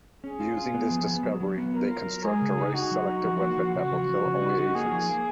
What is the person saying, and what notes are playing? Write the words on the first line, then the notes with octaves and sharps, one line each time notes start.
Using this discovery, they construct a race-selective weapon that will kill only Asians.
C#4 G#4
F4
F4
B3
F3
B3
F#3
F#3
B3
F#3 A#4
F4
F#3
G#3 G#4
C#3
D#4
D#4 F#4
F#3
D#4
F3
A#3
F3
C#3 F#4
F3
F3
C#3
D#4
D#4
A#3 G#4
F3
A#3